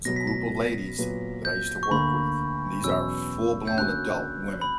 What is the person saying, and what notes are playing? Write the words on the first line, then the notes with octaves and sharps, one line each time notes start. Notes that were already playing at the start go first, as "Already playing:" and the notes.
there's a group of ladies that I used to work with. These are full blown adult women.
B2 F#3 B3 A#6
B6
A#6
A#2 F#3 B3
G6
C#6
D2 D3 A#3 B5
E2 B2 F#3 C#4 E6
G6
D3 A#3 C#4 F#4 F#6
B5